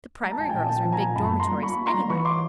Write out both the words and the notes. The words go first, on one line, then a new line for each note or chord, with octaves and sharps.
The primary girls are in big dormitories, anyway.
G#3 A#5
A5
A#1 G#5
G5 A5
A#2
A#2 G5 A5
F3
G#5 A#5
A#2
F#2 A5 B5
A#3
A#5 C6
G3
A#3 B5 C#6
A#3
A#5 C6
G3
E3 B5 C#6
C6 D6